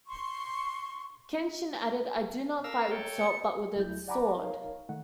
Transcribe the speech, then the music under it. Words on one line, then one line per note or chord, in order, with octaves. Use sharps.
Kenshin added, "I do not fight with salt, but with the sword".
C6 C#6
A#4 F5 E6
A4 C#5 G5
C#7
D2 F#3 A3 E4 G6
D5 F#5 G#5 A#5 B5 D6
D#4 A#4 C#5 F5
D#3 A3 D#4 F#5